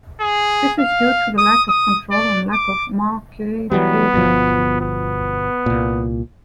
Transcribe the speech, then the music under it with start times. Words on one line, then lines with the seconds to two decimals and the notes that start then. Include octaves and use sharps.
This is due to the lack of control and lack of marketability.
0.21 G#4
0.80 F5
1.38 D#6
1.69 D#6
2.12 D5
2.52 D6
3.71 E3 F#3 G3 B3
4.14 G1 B2 F3
4.81 B3
5.66 C2 A#2